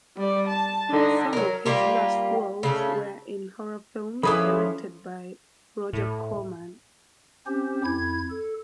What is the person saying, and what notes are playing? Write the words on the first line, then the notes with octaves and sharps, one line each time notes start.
Some of his last roles were in horror films directed by Roger Corman.
G3 D5
A5
D3 D#4
F#3 A#4
G3 A#3 F4 G4
C#3 A3
E3 F3 C#4 E4 G#4 A4 B5
A2
C4 C#4 G4 C5
F2 E4 G#6
A4